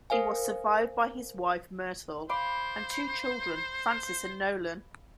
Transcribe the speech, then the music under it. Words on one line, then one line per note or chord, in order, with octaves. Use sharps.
He was survived by his wife, Myrtle, and two children, Frances and Nolan.
A#4 C5 F5 G#5
C5 F5 B5 D6